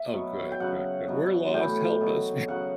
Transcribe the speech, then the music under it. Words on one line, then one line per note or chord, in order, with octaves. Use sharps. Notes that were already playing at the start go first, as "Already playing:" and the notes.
Oh, good, good, good. "We're lost. Help us."
Already playing: E5
B2 F#3
G5
C#3 F#3 F#5
B2 F#3
A2 E3 G5
B2 F#3
C#3 F#3 F#5